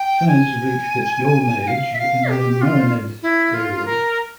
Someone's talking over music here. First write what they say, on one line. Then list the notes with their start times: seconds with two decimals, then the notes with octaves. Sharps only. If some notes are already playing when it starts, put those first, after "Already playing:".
Fez reached its golden age in the Marinid period.
Already playing: G5
0.27 G#5
1.67 F5
1.93 E5
1.98 F5
2.30 G4
2.61 F4
3.22 E4
3.54 F4
3.85 A#4